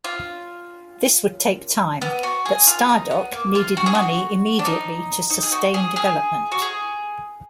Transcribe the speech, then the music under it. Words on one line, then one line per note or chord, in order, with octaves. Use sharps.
This would take time, but Stardock needed money immediately to sustain development.
F4
B3
F#4
G#4
F4
D#4
B3
A#3
F4
F#4
G#4
F#4
D4
D#4
D#4
G#4
F#4
G#4
G#4
F#4
G#4